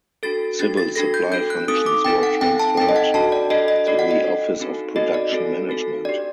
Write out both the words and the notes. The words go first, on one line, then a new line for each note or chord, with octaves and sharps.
Civil supply functions were transferred to the Office of Production Management.
D4 F#4 A4 A6
D4 F#4 A4 A6
A6
D4 F#4 A4 A#6
G6
D4 F#4 A4 G6
F#6
C4 D#4 A4 D#6
D6
C4 D#4 A4 G5
F#5
C4 D#4 A4 G5
A5
C4 D#4 A4 G5
D#5
F#5
D4 F#4 A4 A5
D5
D4 F#4 A4 D#5
D#5
D4 F#4 A4 D5
F#5
D#5
D4 F#4 A4
C4 D#4 F#4 A4
C4 D#4 F#4 A4 D#5
D5
C4 D#4 F#4 A4
C4 D#4 F#4 A4
D4 G4 D5